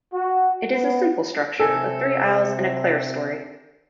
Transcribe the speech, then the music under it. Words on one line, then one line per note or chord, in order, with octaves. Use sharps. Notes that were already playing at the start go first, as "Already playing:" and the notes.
It is a simple structure of three aisles and a clerestory.
F#4
B3
C3 A4 G#5